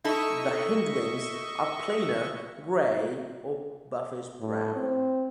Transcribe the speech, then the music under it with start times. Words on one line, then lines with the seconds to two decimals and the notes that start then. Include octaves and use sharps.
The hindwings are plainer, grey or buffish brown.
0.04 D#4 E4 A4 D#5 E5 C#6
4.41 A2
4.76 C4